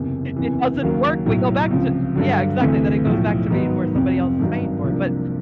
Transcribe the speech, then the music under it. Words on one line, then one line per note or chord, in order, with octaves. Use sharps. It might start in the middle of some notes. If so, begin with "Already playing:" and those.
it doesn't work, we go back to yeah, exactly then it goes back to being where somebody else is paying for it, but
Already playing: F#1 E2 C3
F#1 E2 C3 E3
D#2 C#3 F#3 A#3
B1 A2 F#3
C#2 C3 F3
G2 D3 F#3
D2 C3 E3 A3
B1 A2 F3
G#2 D#3 F#3 B3
F1 F2 C3
G#1 G2 D#3 F#3
C2 C3 F3 A#3 D4